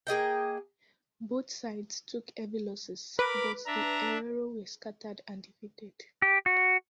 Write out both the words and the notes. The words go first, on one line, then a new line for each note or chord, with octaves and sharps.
Both sides took heavy losses, but the Herero were scattered and defeated.
A#3 G#4 D#5 G5
A#4 B4 B5 D6
D4 E5 A#5
G4
F#4